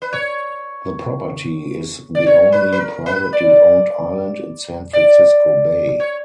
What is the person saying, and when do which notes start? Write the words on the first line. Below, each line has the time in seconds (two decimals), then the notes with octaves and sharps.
The property is the only privately owned island in San Francisco Bay.
0.02 B4
0.13 C#5
2.15 D5
2.27 C#5
2.52 B4
2.72 B4
2.80 A#4
3.06 B4
3.33 D5
4.93 D5
6.00 C#5